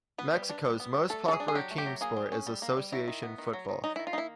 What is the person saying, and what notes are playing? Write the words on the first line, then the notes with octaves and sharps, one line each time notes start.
Mexico's most popular team sport is association football.
B3 B4
G3
D4
G3
B3
G3
A3 A4
F#3 A4
G#4
D4
G#4
F#3 G4
A3
G4
F#3
A#3 G#4
G3
C#4
G3
A#3
G3
F#3 E4
D#3
B3
D#3
F#3
D#3
F#3 D#4
E4
D#3
F4
A#3 D#4 E4